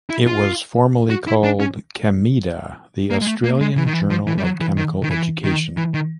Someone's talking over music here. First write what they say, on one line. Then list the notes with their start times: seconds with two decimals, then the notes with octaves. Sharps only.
It was formally called "Chemeda: The Australian Journal of Chemical Education".
0.10 E4
0.27 F4
1.10 F#4
1.27 E4
1.44 D4
1.60 C#4
3.11 A#3
3.22 G#3
3.27 A3
3.44 A#3
3.61 G#3
3.77 E3
3.87 D#3
3.93 E3
4.10 F3
4.27 E3
4.38 G3
4.44 F#3
4.61 E3
4.77 D#3
5.03 D#3
5.11 E3
5.44 D#3
5.77 E3
5.94 D#3